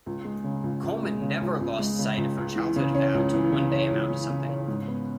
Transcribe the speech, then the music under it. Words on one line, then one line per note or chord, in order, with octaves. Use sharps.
Coleman never lost sight of her childhood vow to one day amount to something.
C#2
G#3
C#3
C#2
C#2
G#3
C#3
C#2
C#2
G#3
C#3
C#2
C#2
E3
C#3
C#4
C#2
E3
C#3
C#4
C#2
E3
C#3
C#4
G#2
B3